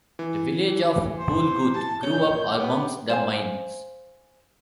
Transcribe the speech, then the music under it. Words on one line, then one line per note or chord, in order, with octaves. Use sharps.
The village of Polgooth grew up amongst the mines.
E3
C5
A5
A#2 C#5 G6
B3 G4
C5 F5 G#5